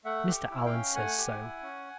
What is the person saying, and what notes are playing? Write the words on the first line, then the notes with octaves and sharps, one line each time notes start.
Mr. Allan says so.
A3 E5 F#5
G4
E4
F5 G5
C#4
A3 F#5 G#5
G4
E4
C#4